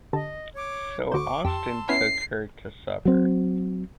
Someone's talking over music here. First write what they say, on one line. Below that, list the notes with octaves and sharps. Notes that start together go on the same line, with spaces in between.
So Austin took her to supper.
D3 G4 D#5 A5
C#5 D6
D2 D4 F#4 C5 C#6 D6
F2 G4 A5 C6 E6
B3 C#4 E4 F6 C7
F#3 C4